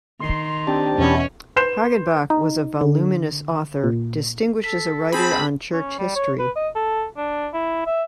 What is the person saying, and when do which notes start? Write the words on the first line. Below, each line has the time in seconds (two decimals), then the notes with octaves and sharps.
Hagenbach was a voluminous author, distinguished as a writer on church history.
0.20 D#3 C6
0.67 C4 D4 G4 A5
0.98 E2 B2 E3 C#4
1.56 B4 C6 G6 C7 E7
2.30 D#4
2.81 D3
3.84 A#2
4.64 A4 B6
5.12 C4 G#4 A5 B5
5.73 C#4
5.99 G3
6.16 C#5
6.39 B4
6.56 D#5
6.75 A4
7.17 D4
7.53 E4
7.86 E5